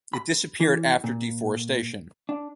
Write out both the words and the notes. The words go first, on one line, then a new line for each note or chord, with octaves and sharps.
It disappeared after deforestation.
B5
E3
A#2
D4